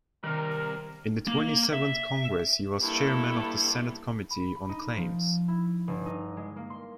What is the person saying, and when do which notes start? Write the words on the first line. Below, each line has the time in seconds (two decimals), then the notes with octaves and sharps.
In the Twenty-seventh Congress he was chairman of the Senate Committee on Claims.
0.24 C3 D#3 G3 A#4
1.27 A#3
1.73 E5
2.82 G2 A#3 E4 A4 E5
4.31 B5
4.56 B5
4.69 D#4
4.96 F3
5.48 E4
5.88 G1
6.06 D#4
6.37 G#3
6.56 A#3
6.70 C6